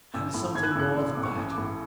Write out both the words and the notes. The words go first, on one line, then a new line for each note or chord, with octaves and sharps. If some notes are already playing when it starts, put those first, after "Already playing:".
And something more than that.
A1 E6
A2
A2 G#6
F#6
E6
A1 F#6
A2 E6
A2 D6
C#6
A1
D6
A2